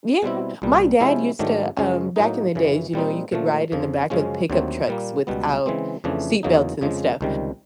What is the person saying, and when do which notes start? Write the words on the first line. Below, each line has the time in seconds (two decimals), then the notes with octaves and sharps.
Yeah, my dad used to, um, back in the days, you know, you could ride in the back of pickup trucks without seatbelts and stuff.
0.23 B2 G3 C4 E4
0.62 C2 A#2 G3
1.00 C3 F3 G#3 C#4 E4
1.39 G#2 D#3 F#3 A3 D4
1.77 F#2 C#3 F3 G#3 C#4
2.16 A2 F#3 A#3 D#4
2.55 F#2 C#3 E3
2.94 A#2 G3 C4 D#4
3.32 A#2 F3 A3
3.72 F2 C#3 F3
4.10 F#2 C#3 F3 G#3 C#4
4.50 D#2 D3 F#3 A3 C4
4.87 A#2 G3 A#3
5.27 C#2 B2 G3 B3
5.66 C#3 E3 G#3 C4
6.04 F2 C#3 E3 A3 D4
6.43 E2 C#3 F#3 A#3 D#4
6.81 F2 C#3 F3 G#3
7.21 C#2 C3 D#3 G3